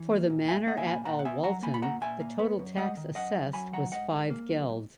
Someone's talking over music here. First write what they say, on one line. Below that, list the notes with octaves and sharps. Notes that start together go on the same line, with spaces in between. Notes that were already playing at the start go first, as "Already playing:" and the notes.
For the manor at Alwalton the total tax assessed was five geld.
Already playing: E3
A#3
A#2
A#2 E5 G#5
A#3 D#5 F#5
E5 G#5
A#2 G#5 B5
A#2 F#5 A#5
F#5
B3 E5 G#5
F#3 F#5 A#5
A#3 G#5 B5
B5
A#2 F#5 A#5
A#2 E5 G#5
A#3
B3
F#2
G#3 D#5 F#5
D#3
F#2 D#5 F#5
F#2
F#3 G#5 B5
D#3 F#5 A#5
G#2 D#5 F#5
G#2
A#3
F#3
G#2